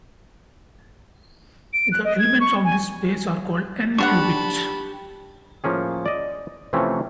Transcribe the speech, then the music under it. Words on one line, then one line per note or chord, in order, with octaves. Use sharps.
The elements of this space are called "n"-qubits.
D7
F#6
D#5
G#6
C#6
G#5
D3 B3 D4 G4 F#5 A5 B5 C#6
A2 F3 A#3 C#4 G#4
D5 D#5
C3 E3 F3 A3 C4 C#4